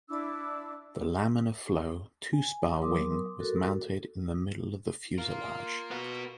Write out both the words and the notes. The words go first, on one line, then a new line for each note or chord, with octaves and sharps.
The laminar-flow, two-spar, wing was mounted in the middle of the fuselage.
D4 E4 D6 E6
G#5
F#3 B3 A#4 C6 D6 D#6
F#4 A4 A#4
F4 A#4 F5 C6
B3 F#4